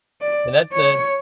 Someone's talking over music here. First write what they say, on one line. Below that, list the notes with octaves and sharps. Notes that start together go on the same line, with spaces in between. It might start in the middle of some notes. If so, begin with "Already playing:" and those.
and that's the
D5
C#5